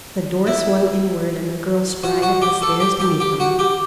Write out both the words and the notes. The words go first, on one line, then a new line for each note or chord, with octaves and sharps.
The door swung inward, and the girl sprang up the stairs to meet them.
E4
F#4
F#4
G4
A4
G4
G4
G4
F#4
G4